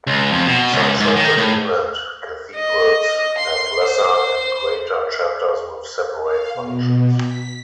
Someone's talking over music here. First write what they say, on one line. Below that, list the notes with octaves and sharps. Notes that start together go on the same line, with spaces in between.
Some Church of England cathedrals have "lesser" and "greater" chapters with separate functions.
C#2
F2
B2
C#2
G#2
D#3
A2
D#5
C6
C5
F5
B2
B6